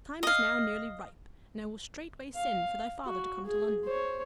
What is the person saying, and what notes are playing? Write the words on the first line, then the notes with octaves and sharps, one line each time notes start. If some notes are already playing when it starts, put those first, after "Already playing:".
The time is now nearly ripe, and I will straightway send for thy father to come to London.
D#5 F5
F5
F#4
G#4
C5 C#5